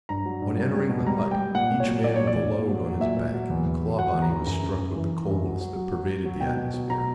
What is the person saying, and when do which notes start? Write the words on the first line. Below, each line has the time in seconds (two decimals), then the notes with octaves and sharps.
On entering the hut, each man with a load on his back, Clawbonny was struck with the coldness that pervaded the atmosphere.
0.09 G2 A#5
0.26 F#3
0.42 G2
0.58 G3
0.75 G3
0.90 B2
1.07 G3 A#5
1.22 G3
1.31 G5
1.39 G3
1.55 A#2 F#5
1.72 A#2
1.80 C#5
1.88 F#3
2.04 A#2 D5
2.16 A#2 C#5
2.27 D5
2.36 A#2
2.52 A#2
2.68 F#3
2.84 F#3
3.00 A#2 E5
3.17 A#2
3.34 F#3
3.50 E2
3.66 E2
3.81 F#3
3.98 F#3 F#5
4.15 E2
4.22 A#5
4.30 E2
4.46 F#2 A#5
4.63 C#3
4.78 F#2
4.96 E3
5.12 E3
5.28 F#2
5.44 F#3
5.61 F#3
5.76 F#3
5.92 F#3
6.09 F#3
6.25 F#3
6.40 B2 G5
6.57 B2
6.74 F#3
6.90 B2 A#5